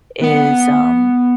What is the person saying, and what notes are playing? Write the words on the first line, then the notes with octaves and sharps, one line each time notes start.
is, um,
B3 F#5